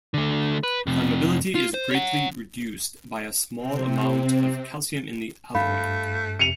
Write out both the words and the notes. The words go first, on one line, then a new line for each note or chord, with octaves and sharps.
Flammability is greatly reduced by a small amount of calcium in the alloy.
D3 A3
B4
F2 C3
F4
C5
C#5 F#5
C3 C4
G2 A3 F5 B5
F2 C3 C#7 D#7 F7